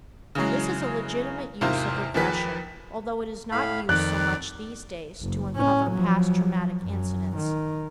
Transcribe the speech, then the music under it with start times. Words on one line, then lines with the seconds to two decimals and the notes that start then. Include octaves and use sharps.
This is a legitimate use of regression although it is not used so much these days to uncover past traumatic incidents.
0.35 C#3 E3 F#3 G#3
1.61 E2 G#2 C3 A#3 F4 C5
2.14 D#2 F3 G#4 B4 B6
3.52 A2 F5 B5
3.89 F2 D#3 D5 F#6
5.22 F#1
5.55 A2 C#4
5.90 F3 F#3
6.82 F#2
7.37 D#3